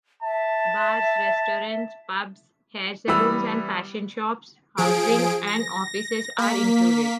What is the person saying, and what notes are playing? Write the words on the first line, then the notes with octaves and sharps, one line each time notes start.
Bars, restaurants, pubs, hair salons and fashion shops, housing and offices are included.
E5 A5
E3 G3 B3 B5 E6
F3 G#4 D7
A#6
A#3 B6